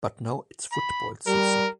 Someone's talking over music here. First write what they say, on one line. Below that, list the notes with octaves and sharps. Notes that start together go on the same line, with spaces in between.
But now it's football season.
B5
G3 A#4